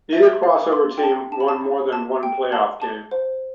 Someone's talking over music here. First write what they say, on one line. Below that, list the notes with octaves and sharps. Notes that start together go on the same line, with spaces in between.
Neither crossover team won more than one playoff game.
E5
F5
D6
C6
G5
A5
A5
B5
A5
A5
G5
A5
A5
C5